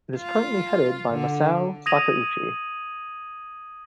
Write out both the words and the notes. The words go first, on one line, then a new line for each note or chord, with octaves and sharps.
It is currently headed by Masao Sakauchi.
F4
D3
D#6 G#6 A#6 D#7 F7 F#7